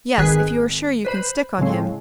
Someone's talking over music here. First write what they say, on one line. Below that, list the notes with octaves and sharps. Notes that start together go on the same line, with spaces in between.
"Yes, if you are sure you can stick on him."
G#1 D#3 G#4 B4 G#5 F#6
B4 C5 B5
A2 C#3 G#3 C4